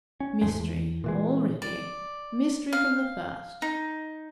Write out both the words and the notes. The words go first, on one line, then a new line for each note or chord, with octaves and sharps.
'Mystery already--mystery from the first.
C#4
D#2 G#2 G#3 A3
E2
A#2 E3 G#3
D5
F5
D#4